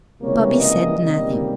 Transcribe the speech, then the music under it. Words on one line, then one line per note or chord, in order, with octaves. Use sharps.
Bobby said nothing.
C#2 C3 E3 G3 A#3 C#5
D#5
C#2 C3 D#3 G3 A#3 D#5